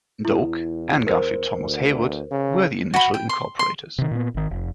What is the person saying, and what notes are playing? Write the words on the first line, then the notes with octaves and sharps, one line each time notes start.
Doak, and Garfield Thomas Haywood were the initial incorporators.
E2 E4
A#4 C5
D2
C#3
F#4 B5
G5
C6
C6
C3 D#3
A#2 B3
G#1 D#3
F1